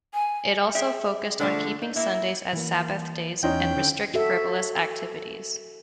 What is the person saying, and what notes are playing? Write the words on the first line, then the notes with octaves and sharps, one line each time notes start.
It also focused on keeping Sundays as Sabbath days and restrict frivolous activities.
G#5
G#4 E5 G5
D3 F3 A3 D4
D#4
A#3 E4
E3 A#3
E2 C#4 D#4 E4 D#5 G5 C6
D3
F#4 A4 E5